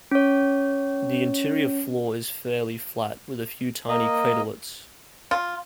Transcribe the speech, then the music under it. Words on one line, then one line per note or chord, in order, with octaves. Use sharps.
The interior floor is fairly flat, with a few tiny craterlets.
C#4 C#5
A#3 D#5
F4